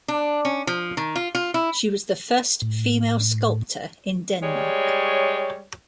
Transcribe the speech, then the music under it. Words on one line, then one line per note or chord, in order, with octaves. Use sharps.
She was the first female sculptor in Denmark.
D4
C#4
F3
D#3
F4
F4
E4
A2
G3 G#3 C#5